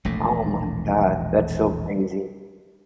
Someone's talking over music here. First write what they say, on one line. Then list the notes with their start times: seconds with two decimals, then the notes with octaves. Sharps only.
Oh my god. That's so crazy.
0.05 E1 A#1 A2 A3